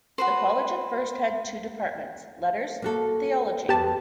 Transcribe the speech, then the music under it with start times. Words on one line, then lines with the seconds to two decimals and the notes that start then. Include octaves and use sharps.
The college at first had two Departments: Letters, Theology.
0.18 F#4 B4 C5
2.82 A#3 F#4 A4
3.69 F2 B3 G4 A5